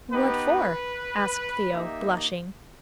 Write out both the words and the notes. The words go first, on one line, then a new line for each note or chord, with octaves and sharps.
"What for?" asked Theo, blushing.
B3 D#4 G4 B4
A#3 D#4 G4 E5